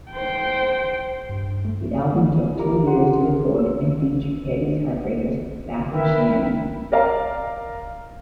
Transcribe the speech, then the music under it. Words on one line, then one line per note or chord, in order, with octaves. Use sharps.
The album took two years to record and featured Petty's Heartbreakers backing Shannon.
C5 G5
G2
A3
E4 F4 G4 A#4 A#5 D6
G4 F#5 C6
G#4 A#4
E6
E4 A#4 B4 E5 G5
A#4 D5 F5 A#5